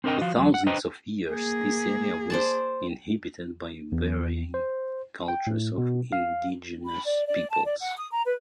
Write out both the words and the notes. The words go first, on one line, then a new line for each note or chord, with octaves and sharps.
For thousands of years, this area was inhabited by varying cultures of indigenous peoples.
C4 D4 A#4 D#5 G5
F3 F#4 F5
E2 F#3
F#5
D4 B4 C5 D#5 G5 A#5
A#3 G#4
C5 D5 A5
E2
C5
G5
A2
B2
F5
B5
D5
D5
A5
D5
F#5
D#6
A#5
B4